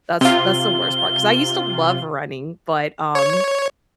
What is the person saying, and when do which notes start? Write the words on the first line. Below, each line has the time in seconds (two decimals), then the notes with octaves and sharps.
that's that's the worst part. 'Cause I used to love running, but, um,
0.21 C3 F4 G7
3.15 C#5